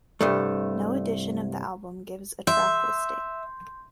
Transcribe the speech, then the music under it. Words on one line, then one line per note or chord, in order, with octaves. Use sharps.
No edition of the album gives a track listing.
C2 G2 A3
E5 C6 G6